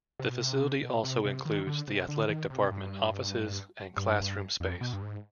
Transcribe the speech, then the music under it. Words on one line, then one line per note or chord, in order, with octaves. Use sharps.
The facility also includes the athletic department offices and classroom space.
C3
B2
C3
B2
C3
C3
D#3
D3
C3
D3
D#3
C3
G2
G2
F2
B2
G2
G#2